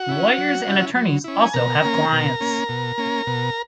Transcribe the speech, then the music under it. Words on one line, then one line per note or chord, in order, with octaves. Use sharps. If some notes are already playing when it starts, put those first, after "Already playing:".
Lawyers and attorneys also have clients.
Already playing: F#4 F#5
C#4 E4
F#3
C#4 E4
F#3
C#4 E4
G#5
B2 A#4 A#5
A#3 C#4
B2
A#3 C#4
B2
A#3 C#4
B2